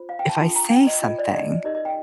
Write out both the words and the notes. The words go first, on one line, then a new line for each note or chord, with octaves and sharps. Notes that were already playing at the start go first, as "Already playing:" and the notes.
"If I say something,
Already playing: F4 C5
F5
G5
A5
D4 F4 A4 C6
A#5
G5
D#5
F4 C5 D#5
D5
D#5
D#4 G4 A#4 D#5
D#5
G5